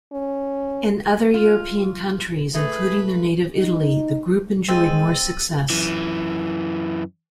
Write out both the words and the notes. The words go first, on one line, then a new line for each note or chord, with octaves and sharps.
In other European countries, including their native Italy, the group enjoyed more success.
C#4
F4
A3 G#4 B4
D#4
G#3 C4 E6 A6 D#7
F#2 E3